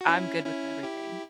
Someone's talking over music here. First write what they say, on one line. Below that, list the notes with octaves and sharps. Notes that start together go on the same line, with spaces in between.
I'm good with everything.
F#4
C#4 E4
C#4 E4
E4 G4